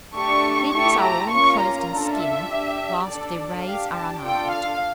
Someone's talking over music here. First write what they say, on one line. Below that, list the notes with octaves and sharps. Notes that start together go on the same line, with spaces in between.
The fins are all inclosed in skin, whilst their rays are unarmed.
A3 D4 G4 C#6
A3 E4 G4 C#6
A#5
A#3 C#4 F4 C#6
A#5
D4 F4 A4
E5
D4 G4
D4 A4 D5
D4 G4 F5
A5
D4 F4 A4 G5
F5